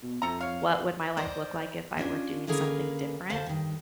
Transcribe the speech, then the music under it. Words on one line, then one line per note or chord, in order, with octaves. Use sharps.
what would my life look like if I were doing something different,
B2
F2 C3 A4 A#5
C#5 F5
C5 D5 D#5
C#4 D4 F4
D3 A#3 C#4 G#4 A#4 B4
D2 C5 F5 A5
G2 D#3